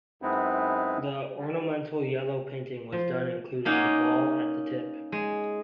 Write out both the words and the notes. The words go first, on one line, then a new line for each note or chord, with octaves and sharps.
The ornamental yellow painting was done including the ball at the tip.
F#2 G#3 B3 C4 D#4 E4
G3
F3
A#3 C#4 D#4 D5 F5 F#5
G#3